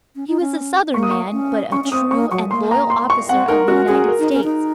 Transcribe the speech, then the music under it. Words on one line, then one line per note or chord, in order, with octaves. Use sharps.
He was a southern man, but a true and loyal officer of the United States.
C#4
D#4
C#4
A#3 C#6
D#6
C#6
C#4
C#4 C#6
C#4
C4 D#6
A#3 C#6
F#3 C#6
A#3 C6
A#5
C6
C#6
C4 F#5
D#4 A#4
C#4 F#4
C#4 G#4
A#4
D#4
C#4
D#4